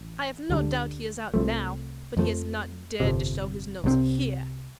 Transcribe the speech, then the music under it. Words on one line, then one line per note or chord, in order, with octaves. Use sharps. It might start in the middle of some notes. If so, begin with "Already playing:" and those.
I have no doubt he is out now, but he has not dared to show his nose here.
Already playing: A1
D2 D3 G3
C2 C3 F3 A3
F2 F3 A3
G1 F2 C3
C2 C3 F3 C4